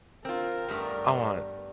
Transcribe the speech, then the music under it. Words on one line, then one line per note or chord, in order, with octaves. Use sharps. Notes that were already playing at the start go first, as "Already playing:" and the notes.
I want
C4 F4 A#4
G2 G3 A3 B3 B4